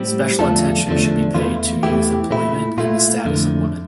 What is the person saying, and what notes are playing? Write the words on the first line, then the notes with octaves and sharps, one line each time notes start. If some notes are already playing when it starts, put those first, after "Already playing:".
Special attention should be paid to youth employment and the status of women.
Already playing: A2 G3 C4
E2 D3 F3 A3 D4 F4 A4
E2 D3 F3 A3 D4
E2 E3 A3 E4 F4
E2 E3 A3 E4 G4
A#2 A3 E4
A#2 A3 E4 F4
F2 D3 A3